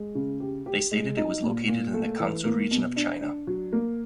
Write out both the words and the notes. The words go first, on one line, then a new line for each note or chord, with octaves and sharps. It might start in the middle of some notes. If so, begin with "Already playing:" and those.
They stated it was located in the Kansu region of China.
Already playing: G#3
C#3
G4
G4
G#3
D#4
A#2
A#2
A3
E3
A#3
B2
D4
D4
F#3
A#3